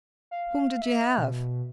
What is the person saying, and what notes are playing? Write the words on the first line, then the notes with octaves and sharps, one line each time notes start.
Whom did you have?
F5
E5
B2